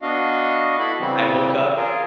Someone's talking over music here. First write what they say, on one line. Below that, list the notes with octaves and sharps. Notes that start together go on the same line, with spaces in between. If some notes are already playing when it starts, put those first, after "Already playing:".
I woke up
B3 D4 F#4 D#5 F5
E4 F#4 A4 B5
C#3 E3 G3 C4
F4 G#4 A#4